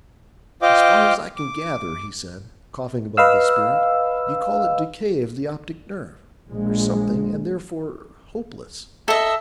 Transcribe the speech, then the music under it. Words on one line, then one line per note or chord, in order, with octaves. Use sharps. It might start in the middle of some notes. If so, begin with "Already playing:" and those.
'As far as I can gather,' he said, coughing above the spirit, 'you call it decay of the optic nerve, or something, and therefore hopeless.
F4 C5 D#5 F5 G5 D6
D6
B4 D#5 F5 E6
A#1 G#3
A4 D#5 E5 E6